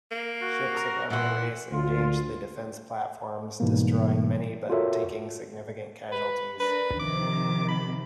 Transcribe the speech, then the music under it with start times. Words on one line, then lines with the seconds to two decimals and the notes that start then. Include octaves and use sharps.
Ships of every race engage the defense platforms, destroying many but taking significant casualties.
0.11 A#3
0.42 F#4
0.73 A#4
1.10 A#2 E3 E4 F#5 C6
1.72 D2 F4
3.60 G#2 B2 E3 G3 A#3
4.69 F4 F#4 A4 A#4 C#5 E5
6.12 B4
6.60 D4 A#4 B4
6.99 C3 D#3 F3 D6
7.68 B5